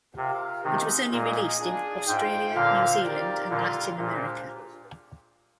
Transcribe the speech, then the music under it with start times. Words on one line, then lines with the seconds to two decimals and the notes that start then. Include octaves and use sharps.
It was only released in Australia, New Zealand and Latin America.
0.17 C3 F4 A#4 F5
0.64 C3 D#3 G#3 C4 D#4
1.11 A#2 A#3 D#4 G#4 D#5
1.60 D4 F4 G#4
2.07 G#2 F4 C5 G5
2.54 A#2 D3 F4 C5 F5
3.03 C4 D#4 G4 A#4 D5
3.49 A#2 D3 G3 A#3 F4 A#4 F5
3.97 A#2 G#3 D4 G4 C5 F5